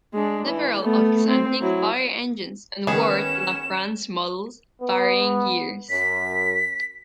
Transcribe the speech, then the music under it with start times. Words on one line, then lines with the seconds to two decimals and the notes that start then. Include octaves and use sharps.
Several of his antique fire engines are Ward LaFrance models of varying years.
0.14 G#3 D4
0.47 E3
0.82 A3 B3
1.28 C4
1.61 F#3 E4
2.87 D#3 B3 C#4 G#4 B4 C#5 E7
4.81 B3
5.90 F#2 B6